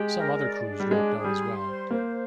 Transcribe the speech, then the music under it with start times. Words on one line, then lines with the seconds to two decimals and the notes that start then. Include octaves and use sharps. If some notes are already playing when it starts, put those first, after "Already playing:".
Some other crews dropped out as well.
Already playing: G#3 G4
0.17 A#4
0.42 D5
0.66 D4
0.80 G3
0.91 G#3 D4
1.16 G#4
1.24 G3
1.40 C6
1.66 C5
1.91 A#3 C5